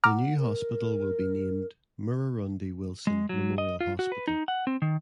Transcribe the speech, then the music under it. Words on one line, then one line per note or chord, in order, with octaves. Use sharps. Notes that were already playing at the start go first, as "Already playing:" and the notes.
The new hospital will be named Murrurundi Wilson Memorial Hospital.
F#5 A#5 D6 F6
A#4
G#3
F#3
D#5
F4
F#4
B4
D#4
F#5
C4
D#3